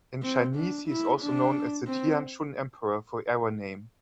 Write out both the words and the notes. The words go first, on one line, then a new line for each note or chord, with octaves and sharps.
In Chinese he is also known as the Tianshun Emperor for era name.
C4
D4
E4
D4
C4